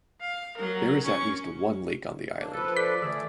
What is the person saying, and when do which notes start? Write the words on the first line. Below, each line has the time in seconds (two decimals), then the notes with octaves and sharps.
There is at least one lake on the island.
0.21 F5
0.57 F#3 A#4
1.04 C#4 C#6
2.38 A#3 D4
2.54 F3 A4 B4
2.77 A4 D5 B6
3.02 D3 E3 A3 G#4